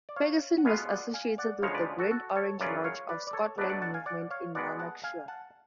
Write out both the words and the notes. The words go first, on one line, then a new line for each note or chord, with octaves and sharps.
Ferguson was associated with the Grand Orange Lodge of Scotland movement in Lanarkshire.
D5
C#5 F5
F#5
B2 G#3 B3 F4 F5 G#5
D5 F#5
F5 G#5
D5 F#5
D2 C#3 F3 G#3 C#5 F5
B4 D5
F#4 A4
F#4 A4
A4 C#5
F#2 C#3 F#3 C#4 F4 B4 D5
C#5 F5
B4 D5
D5
A4 C#5
B2 F#3 A3 D4 B4 D5
D5 F#5
F#5 A5
F5 G#5
D5 F#5
C#5 F5
B2 G#3 B3 D5 F#5
F#5 A5
F5 G#5
F#5 A5